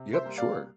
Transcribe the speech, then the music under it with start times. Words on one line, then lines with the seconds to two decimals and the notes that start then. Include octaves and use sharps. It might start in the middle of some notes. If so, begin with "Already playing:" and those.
Yep, sure.
Already playing: C3
0.13 C5 E5
0.26 G3 A#3
0.38 D5 F5